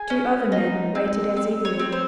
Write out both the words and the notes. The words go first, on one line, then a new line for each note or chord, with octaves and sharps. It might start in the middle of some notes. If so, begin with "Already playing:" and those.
Two other men waited as eagerly.
Already playing: G#4 G#5
C#4
D#4
C4
C4
C#5
C4
C5